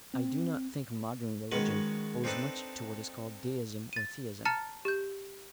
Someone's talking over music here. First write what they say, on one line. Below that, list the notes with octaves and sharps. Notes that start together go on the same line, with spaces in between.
I do not think modern religion owes much to what is called Deism or Theism.
C4
D#3 G#3 C#4 F#4 B4
C4 D4 D#4 A4 B4
A6 D#7
A5 A#5 F6 A6 C#7
G4 G6